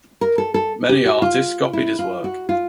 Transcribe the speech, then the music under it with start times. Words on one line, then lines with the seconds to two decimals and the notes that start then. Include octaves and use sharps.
Many artists copied his work.
0.21 A#4
0.38 A4
0.54 A4
0.89 G4
1.06 F#4
1.22 F4
1.73 E4
1.99 F4
2.24 F#4
2.49 F4